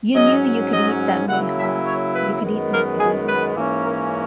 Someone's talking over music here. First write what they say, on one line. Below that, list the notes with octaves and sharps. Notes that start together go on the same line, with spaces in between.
You knew you could eat that mayhaw, you could eat muscadines.
G#2 F#3 C#4 D#5
D#5
C#3 F#3 A#3 E4 F#5
E5
C#5
B4
F#2 D#3 G#3 B3
A#4
G#4
B4
G#2 E3 A#3 C#4
A#4